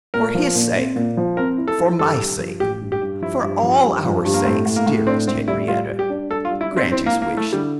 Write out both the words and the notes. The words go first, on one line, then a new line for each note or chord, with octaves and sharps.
For his sake, for my sake, for all our sakes, dearest Henrietta, grant his wish.
A#2 A#4
F3
A#2
C4
A#2
F3
C4 A#4
E4
A4
E4
G2 A4
G2
F3
A1 G4
G2
G4
G2
F3 E4
G2
F3
G2
F3
G2
A#3
A2 C4
A2
A#3
A2
C4 D4
A2 C4
G3 E4
G3 F4
G3
G4
D4
G3 A4
F4
G3
E4
D4
C4
C4 E4
A#3
E4
A#3
A3 E4
D3 G3